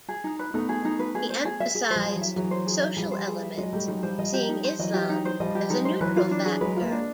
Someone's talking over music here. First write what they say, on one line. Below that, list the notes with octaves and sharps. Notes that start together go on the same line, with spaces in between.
He emphasized social elements, seeing Islam as a neutral factor.
G#4
D#4
B4
A3 B3 D#4
G#4
D#4
B4
G#4
C5
G#4
E5
G#4
C5
F3 G3
G#4
E3 F#3
E5
E3 F#3 G#4
C5
G#4
E5
F3 G3 G#4
C5
G#4
E5
F#3 G#3 D#5
G3 A3 G4
F#3 G#3 D#4
F3 G3 C5
F3 G3 D#5
G4
D#4
C5
E3 F#3 D#5
G4
D#4
C5
F3 G3 D#5
G4
F#3 G#3 D#4
C5
E3 F#3 B4
F4
D4
G#4
F#3 G#3 B4
F4
G#3 A#3
D4